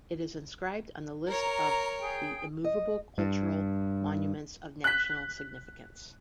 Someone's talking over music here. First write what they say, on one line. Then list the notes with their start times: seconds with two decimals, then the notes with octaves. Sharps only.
It is inscribed on the list of the Immovable Cultural Monuments of National Significance.
1.27 A#4 C#5 A#5
2.00 G#4 G5
2.64 D#5
3.18 G2
4.84 F#6 B6